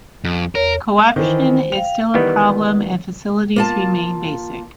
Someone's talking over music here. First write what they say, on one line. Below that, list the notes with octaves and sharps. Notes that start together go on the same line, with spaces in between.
Corruption is still a problem and facilities remain basic.
F2
E2 A#4 C#5
D#3 E3 C5
F5 G5 F7
D#3 E3 G3 B3
A#3 F4 A5